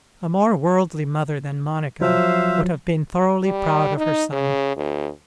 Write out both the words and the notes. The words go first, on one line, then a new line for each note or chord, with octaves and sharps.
A more worldly mother than Monica would have been thoroughly proud of her son.
F3 F#3 C5 E5 F5
G3
D#4
C#3
D2